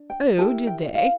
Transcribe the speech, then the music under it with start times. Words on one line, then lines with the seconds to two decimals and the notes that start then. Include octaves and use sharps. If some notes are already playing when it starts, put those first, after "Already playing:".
'Oh! did they?
Already playing: D4
0.10 G5
0.38 E4 G4 A#4 A5
0.67 G5
0.95 F5